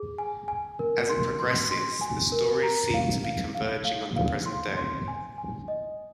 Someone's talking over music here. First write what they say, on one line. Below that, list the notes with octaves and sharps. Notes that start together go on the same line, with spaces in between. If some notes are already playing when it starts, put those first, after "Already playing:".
As it progresses, the stories seemed to be converging on the present day.
Already playing: G#4
G#5
G#5
A#4
C6
C6
C6
G#5
A#4
A#5
F5
F5
F5
F5
F5
C6
C6
G#5
G#5
D#5